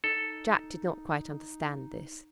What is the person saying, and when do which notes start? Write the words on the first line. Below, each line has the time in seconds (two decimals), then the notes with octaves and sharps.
Jack did not quite understand this.
0.04 D#4 A4